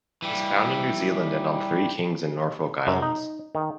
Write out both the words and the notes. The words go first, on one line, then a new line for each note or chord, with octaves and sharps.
It is found in New Zealand and on Three Kings and Norfolk Islands.
E3 G3
F#2
D#4
D#3